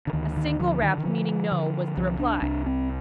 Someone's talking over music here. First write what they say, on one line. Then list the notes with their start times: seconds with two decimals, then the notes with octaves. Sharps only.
A single rap, meaning "No," was the reply.
0.07 D3
0.13 D2 D#3
0.37 D#3
0.59 D3 F3
0.82 D#3
0.98 D#3
1.05 D3 F3
1.52 D3
1.97 C2 F3
2.20 D4
2.42 C2 D4
2.66 C4